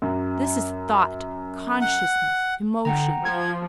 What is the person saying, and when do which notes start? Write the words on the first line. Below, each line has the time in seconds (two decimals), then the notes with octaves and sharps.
This is thought, consciousness, emotion.
0.02 F#2
1.81 F#5
2.85 D3 F#5 G5 A#5
3.25 F3 G#6